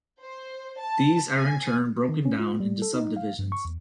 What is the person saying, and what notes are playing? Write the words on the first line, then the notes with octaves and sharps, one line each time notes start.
These are in turn broken down into subdivisions.
C5
A5
G#5
D#3
C#4
F4
G3
A4
D#4
F5
G2
C#6
E2